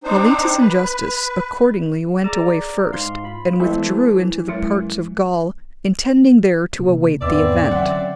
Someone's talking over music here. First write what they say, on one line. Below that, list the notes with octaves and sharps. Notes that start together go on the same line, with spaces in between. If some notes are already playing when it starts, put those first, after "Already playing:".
Mellitus and Justus accordingly went away first, and withdrew into the parts of Gaul, intending there to await the event.
C4 D4 D#4 C5
B4
G#4 D5 A#5 D6
G#2 F5 C6
F4 B5
E3 G3 G#3 B3 A4 C5
F#2 G#3 E4 C#5
C3 A#3
E2 G#2 B3 C4 D5 E5 D6 E6
D3 F#3 C#4 E5 F#5